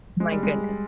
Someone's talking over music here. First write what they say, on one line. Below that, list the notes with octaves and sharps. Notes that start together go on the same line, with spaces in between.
My goodness.
G#3
G3
G#3